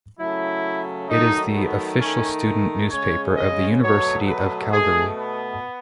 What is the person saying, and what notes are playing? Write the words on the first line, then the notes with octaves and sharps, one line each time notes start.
It is the official student newspaper of the University of Calgary.
C#3 F#3 A3 E4
D#3 F#3 A3 D#4
B3
D#3 A3 C#4
C#3 G#3 C#5
D#5
B2 F#3 A3 C#5
B4
B2 A3 G#4
B3